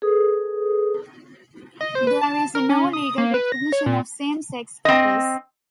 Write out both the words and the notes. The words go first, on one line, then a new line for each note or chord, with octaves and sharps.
There is no legal recognition of same-sex couples.
G#4 A4 B4 D#6
D#5
C5
B4
A5
A#4
C#4
D#6
A#3
B4
A#6
C#5
A#2
C4 D#5